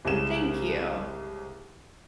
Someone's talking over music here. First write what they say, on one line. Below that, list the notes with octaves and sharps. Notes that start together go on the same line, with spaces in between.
Thank you.
C2 C#3 G#3 E7